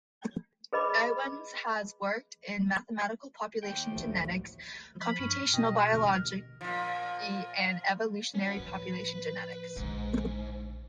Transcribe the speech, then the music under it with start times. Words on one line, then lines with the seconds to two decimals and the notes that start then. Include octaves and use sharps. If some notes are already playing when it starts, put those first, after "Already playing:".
Ewens has worked in mathematical population genetics, computational biology, and evolutionary population genetics.
0.73 G#4 B4 D#5 B5 D6
3.63 D#2 G5
3.92 A1 D2 F3 A3
5.01 F3 B5
5.19 G2 C#4
5.54 B2 D#5 G5
5.91 A1 D2 A#4
6.61 A#2 F3
8.34 C#4 F#4
8.57 A2 F3 B4
9.76 A#1 G#2 D3